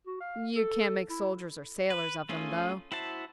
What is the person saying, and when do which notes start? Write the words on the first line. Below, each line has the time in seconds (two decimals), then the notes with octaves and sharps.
"You can't make soldiers or sailors of them, though."
0.07 F#4
0.21 F5
0.56 A4
1.10 E4
1.90 B4
2.29 A3 C#4 F4 G#4
2.92 E4 F#4 C5 E5 A5